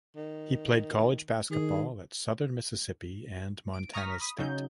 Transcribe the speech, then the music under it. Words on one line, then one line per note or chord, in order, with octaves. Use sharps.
He played college basketball at Southern Mississippi and Montana State.
D#3
D#3 G#4
D7
A#5 C#6 D#6 F6 A#6 B6
B5 D#6
C#3 F#3 D#4 G6